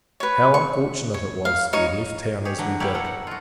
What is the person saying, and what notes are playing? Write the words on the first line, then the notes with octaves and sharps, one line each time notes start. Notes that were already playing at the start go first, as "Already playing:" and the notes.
How unfortunate it was, we left town as we did!
B4 C#5
C#6
C#5
F5
D#4 C#5
G4 G#4 C#5
D3 E3 F#3 D4
G3 A#3 E4 G4 C#5 D5
B2 F#3 A4
F#5
F4 F#4